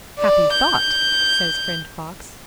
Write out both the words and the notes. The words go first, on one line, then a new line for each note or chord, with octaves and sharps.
'Happy thought!' says friend Fox.
D5
G6